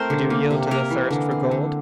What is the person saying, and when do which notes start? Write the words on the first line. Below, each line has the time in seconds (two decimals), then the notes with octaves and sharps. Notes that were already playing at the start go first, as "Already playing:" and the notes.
Would you yield to the thirst for gold?
Already playing: A3 C4 A#4 C5
0.10 D3
0.30 A#3
0.51 C3
0.71 A#3 A#4
0.90 E3
1.11 D3
1.31 C4
1.51 D3